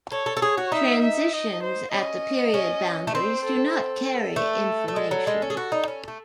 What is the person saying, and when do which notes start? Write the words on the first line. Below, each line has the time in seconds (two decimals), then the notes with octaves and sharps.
Transitions at the period boundaries do not carry information.
0.12 A4 C#5
0.26 A4
0.37 A4
0.42 G#4 C#5
0.58 F#4
0.72 D#4 E5
1.02 E5
1.33 D#5
1.63 C5
1.93 C#4 D#5
2.54 C#4
3.07 A3
3.14 C4 C5
3.45 A4
3.75 A4
4.36 A3
4.88 A3
4.96 G#3
5.11 F#3
5.27 G#3
5.42 C#4
5.50 G#4
5.57 F#4
5.72 D#4
5.88 C#4
6.08 A3